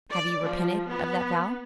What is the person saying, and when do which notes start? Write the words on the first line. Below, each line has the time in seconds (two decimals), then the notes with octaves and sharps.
Have you repented of that vow?
0.10 D5
0.43 F3
0.87 B3